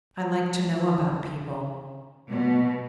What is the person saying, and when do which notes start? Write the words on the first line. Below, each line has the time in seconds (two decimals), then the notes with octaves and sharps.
I like to know about people.
2.31 B2